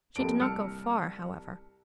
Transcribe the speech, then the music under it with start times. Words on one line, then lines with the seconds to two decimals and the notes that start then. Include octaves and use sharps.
She did not go far, however.
0.16 F1 F2 A#3 A5 D7
0.39 C2 A5 E6 F6 C#7